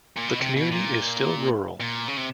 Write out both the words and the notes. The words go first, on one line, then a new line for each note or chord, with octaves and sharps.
The community is still rural.
A#2
B2
C3
B2
A#2
A#2
C#3
C3